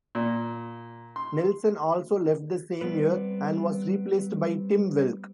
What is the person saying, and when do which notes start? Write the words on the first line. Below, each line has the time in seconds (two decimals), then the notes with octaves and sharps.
Nelson also left the same year, and was replaced by Tim Welch.
0.15 A#2
1.16 C6
2.81 G3 B3 C4 B4